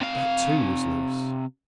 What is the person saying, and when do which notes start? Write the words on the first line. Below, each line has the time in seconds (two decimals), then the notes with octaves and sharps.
That too was loose.
0.01 C3 F5